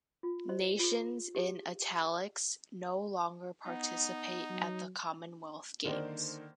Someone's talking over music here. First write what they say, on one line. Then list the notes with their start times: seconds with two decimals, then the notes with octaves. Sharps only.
Nations in "italics" no longer participate at the Commonwealth Games.
0.23 F4
0.49 C5 D#5 C6
0.79 F4 G#4
1.35 G4 G#4
3.66 B3 D#4
4.50 F#3
5.84 D3 D#3 A#3 C5 D5